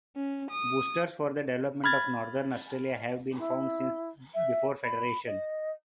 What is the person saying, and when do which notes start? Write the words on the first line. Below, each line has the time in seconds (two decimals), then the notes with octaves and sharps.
Boosters for the development of Northern Australia have been found since before Federation.
0.16 C#4
0.50 D#6
1.84 B5 F6 G#6 A6
3.38 E4
4.34 E5
4.83 B5
5.26 D#5